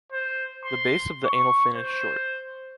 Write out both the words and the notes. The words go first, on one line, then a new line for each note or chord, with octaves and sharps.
The base of the anal fin is short.
C5
C6
C#6
C5